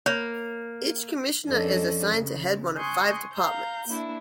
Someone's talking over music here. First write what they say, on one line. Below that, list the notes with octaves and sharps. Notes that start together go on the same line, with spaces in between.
Each Commissioner is assigned to head one of five departments.
A#3 C#5
F2 F3 C#4 D4 A4 D#5
C#3
G#5 C6 C#6 D#6 F#6 G6
F5 A#5 G6
A#3 D4 E4